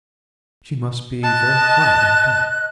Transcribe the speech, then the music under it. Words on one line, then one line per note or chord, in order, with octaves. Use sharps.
"She must be very quiet all day."
D#5 A5 F#6